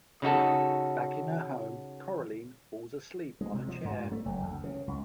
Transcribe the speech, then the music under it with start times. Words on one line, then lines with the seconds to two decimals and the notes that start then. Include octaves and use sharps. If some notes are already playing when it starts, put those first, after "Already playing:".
Back in her home, Coraline falls asleep on a chair.
0.22 C#3 D#4 F#4 A4
3.41 G#3
3.54 C3
3.68 F3
3.85 G#2
3.97 G2
4.12 A3
4.26 F#1
4.43 D2
4.64 C#3
4.88 C#2